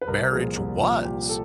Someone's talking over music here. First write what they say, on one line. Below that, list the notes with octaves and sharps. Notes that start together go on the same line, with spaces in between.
marriage was,
B4
C2 A#4
A#2 F3 G#4
C2
A#2 F3
C2 G4
A4